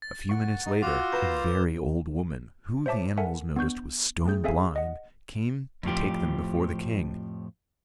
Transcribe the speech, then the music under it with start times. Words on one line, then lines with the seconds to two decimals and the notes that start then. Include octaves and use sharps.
A few minutes later, a very old woman, who, the animals noticed, was stone-blind, came to take them before the king.
0.02 A6
0.29 F#5 C#6
0.66 D#4
0.83 F4 F#4 D6 E6
1.12 B4 A#5 C6 G6 E7
2.86 C5 C#5 E5 A5 D6
3.17 A4 A#4 E5 F#5 G#5 A5
3.56 B3 D4 C#6 G6
4.25 A3 C4 G#4 G6
4.44 C4 G#4 A4 E5 F5 G#5
4.76 D#5 F#5
5.83 F2 A2 F3 G4